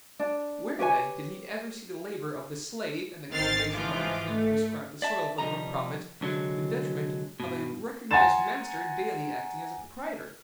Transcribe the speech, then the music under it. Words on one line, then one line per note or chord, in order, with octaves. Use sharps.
Where, then, did he ever see the labor of the slave and the cultivation by the tenant prescribe the soil for their own profit, to the detriment of a recognized master daily acting as a proprietor?
D4
G4 B4 C#5 G#5
G#1 D#3 C4 F6 A6 C7
G#2 E3 F3 F4 D6
A3
D5 E5 A5
C3 F3 G3 D#5 A#5
C2 D3 F#3 G#3
G2 B2
F#5 G#5 A#5 C6 A6 E7